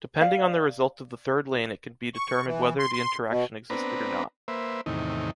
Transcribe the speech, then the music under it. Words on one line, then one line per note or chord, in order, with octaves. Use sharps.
Depending on the result of the third lane it can be determined whether the interaction existed or not.
D5 F5
C#6
E3
C6
C6
B2
B3 C4 D4 B4 A#5
A#3 B4 C5 E5
E2 A2 C3 D#3 D#4